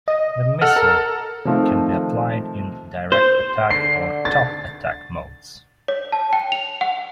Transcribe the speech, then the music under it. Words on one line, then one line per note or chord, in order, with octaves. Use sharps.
The missile can be applied in direct attack or top-attack modes.
D#5
A4 F#5 F6
A4 A#4
C3 D#3 F3 A3 C4
C5
D3 C7
A6
C#5
A5
G5
F7
F#5